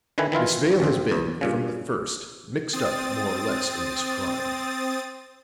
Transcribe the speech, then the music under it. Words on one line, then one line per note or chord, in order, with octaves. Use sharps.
Miss Vale has been from the first mixed up more or less in this crime.
D3 D#3 E4 B4 G#5
D#3 E3 E4 F4
A1 F#2 C4
E2
G2 A#2 C#3
C4 D#6 A6